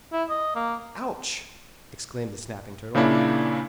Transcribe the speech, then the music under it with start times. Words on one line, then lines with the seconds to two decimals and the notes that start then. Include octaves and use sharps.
"Ouch!" exclaimed the Snapping Turtle.
0.12 E4
0.29 D#5
0.55 A#3
2.95 A#2 C#3 A#3 D4 E4